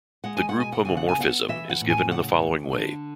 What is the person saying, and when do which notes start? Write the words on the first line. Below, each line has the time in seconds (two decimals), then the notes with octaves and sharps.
The group homomorphism is given in the following way.
0.24 G#3 F#5
0.37 G#5
0.49 F#5
0.56 B2 G#5
0.72 F#5
0.85 C#3 G#5
0.97 F#5
1.09 G#5
1.18 B3 F#5
1.48 E3 E5
1.69 F#5
1.81 A2
1.90 G#5
2.11 C#3 F#5
2.42 D2
2.73 D3